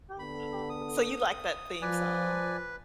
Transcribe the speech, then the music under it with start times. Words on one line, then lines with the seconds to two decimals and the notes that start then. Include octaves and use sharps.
Uh-huh. So, you like that theme song?
0.19 D3 B3 A4 B5
0.70 D#6
1.82 F3 B4 D5 G#5